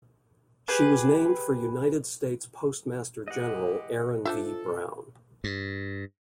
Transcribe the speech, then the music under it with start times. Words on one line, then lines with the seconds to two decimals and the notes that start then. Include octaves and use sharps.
She was named for United States Postmaster General Aaron V. Brown.
0.68 G4 G#4 B4
3.28 E3 G#3 G4 D#5 F#5
4.25 D4 F4 A4 C5 E5
5.44 G2